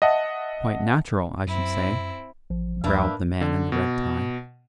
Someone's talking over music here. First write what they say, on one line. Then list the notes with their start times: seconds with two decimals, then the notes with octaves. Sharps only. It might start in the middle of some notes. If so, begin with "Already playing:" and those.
"Quite natural, I should say," growled the man in the red tie.
0.02 D#5 E5 F#5 A5
1.47 F#2 C4 E4
2.50 A1 F3
2.84 D#2 A#3 D4 B4 E5
3.41 D3
3.72 B2